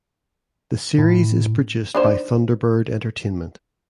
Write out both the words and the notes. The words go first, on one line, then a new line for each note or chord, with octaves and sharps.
The series is produced by Thunderbird Entertainment.
A2
D4 D#4 C5